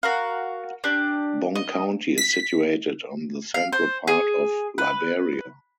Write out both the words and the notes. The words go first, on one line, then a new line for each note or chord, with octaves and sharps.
Bong County is situated in the central part of Liberia.
F#4 A#4 F5
D4 G4
D#5
B6
F5
C5
G#4
B4